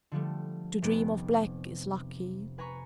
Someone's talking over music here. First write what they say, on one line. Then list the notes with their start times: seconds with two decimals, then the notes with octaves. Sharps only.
To dream of black is lucky.
0.12 D3 F3 G3 A3
0.82 F1 C3 B3 D7
2.58 B4 G#5 A#5 B5 C#6